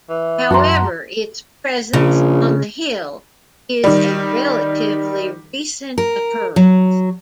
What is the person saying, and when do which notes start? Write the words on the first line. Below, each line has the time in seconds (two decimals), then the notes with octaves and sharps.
However, its presence on the hill is a relatively recent occurrence.
0.10 E3
0.50 F#2 F#4 F#5 A5 A#5 C6
1.93 A#1 C#3
3.84 D#3 G3
5.98 A#4
6.56 F#3